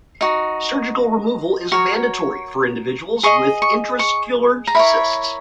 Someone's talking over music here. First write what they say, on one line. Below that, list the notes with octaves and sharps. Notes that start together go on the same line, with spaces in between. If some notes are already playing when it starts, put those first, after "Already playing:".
Surgical removal is mandatory for individuals with intraoscular cysts.
D#4 F#4
F#4 A#4 C#5
G#4 D#5 C#6
C#6
C#6
A#5
E4 A#4 C#5 B5